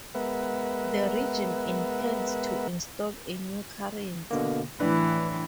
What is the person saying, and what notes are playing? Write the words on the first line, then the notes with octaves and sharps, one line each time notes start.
The regime intends to install a new currency.
G#3 B3 A#4 B4 E5 F#5
B2 D3 A#3
A2 E3 D4 B4